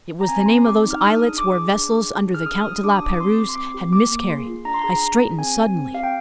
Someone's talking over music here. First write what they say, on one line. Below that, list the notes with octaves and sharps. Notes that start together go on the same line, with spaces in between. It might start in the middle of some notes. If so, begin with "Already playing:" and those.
It was the name of those islets where vessels under the Count de La Pérouse had miscarried. I straightened suddenly.
A#5
C4 G#5
C4 C6
G4 D6
D#4
F6
D4 D#6
G#4 D#6
D4 D6
G#4 D6
D4
G#4
D4
G#4
F6
D4 D#6
G4 D#6
D4 D6
D#6
G4 D6
C4 C6
G4 D6
C6
C4 D6
G4
A#3 D6
A#3
G#4 C6
F4
D4 A#5
C6
G#4 A#5
D4
G#4
C4 G#5
G4
C4
G4 F5
G5